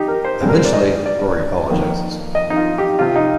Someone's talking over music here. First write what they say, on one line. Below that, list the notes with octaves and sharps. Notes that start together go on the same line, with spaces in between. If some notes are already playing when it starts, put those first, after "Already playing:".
Eventually Rory apologizes.
Already playing: D#4 G4
A#4
C5
G2 D3 G#3 C4
A#4
C5
D5
D#5
D5
F2 D#3 A#3
D#5
D#4
F4
G4
C3 F3 C4 F4
D#4